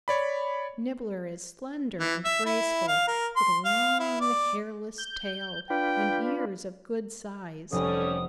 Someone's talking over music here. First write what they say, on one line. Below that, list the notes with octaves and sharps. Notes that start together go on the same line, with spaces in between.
Nibbler is slender and graceful, with a long, hairless tail and ears of good size.
C#5 D5 B5
E3
E5
E4
F5
A#4
C6
F5
E4
D5
G6
D4 F4 B4 G5
F1 G3 C#4 A4 D#6